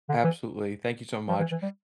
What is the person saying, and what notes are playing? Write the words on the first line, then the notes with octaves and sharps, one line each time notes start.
Absolutely. Thank you so much.
D3
E3
F3
E3
E3
G3